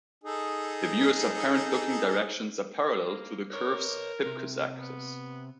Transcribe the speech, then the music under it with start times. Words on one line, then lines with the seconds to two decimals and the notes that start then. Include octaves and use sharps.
The viewer's apparent looking directions are parallel to the curve's "hypcos" axis.
0.24 D#4 G#4 A4
3.06 A#3
3.53 A#4 B4 C#5
4.26 C3
4.78 B3